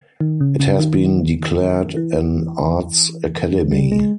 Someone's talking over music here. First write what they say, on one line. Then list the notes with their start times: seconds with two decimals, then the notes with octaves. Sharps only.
It has been declared an arts academy.
0.21 D#3
0.41 C#3
0.60 C#3
0.79 D#3
1.97 E3
3.71 G3
3.92 G#3